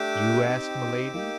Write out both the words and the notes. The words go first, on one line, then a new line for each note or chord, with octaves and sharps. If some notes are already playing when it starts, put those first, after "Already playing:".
"You?" asked Milady.
Already playing: A3 D4 G4 D6 E6
C4 D#4 G4
A#3 D#4 G4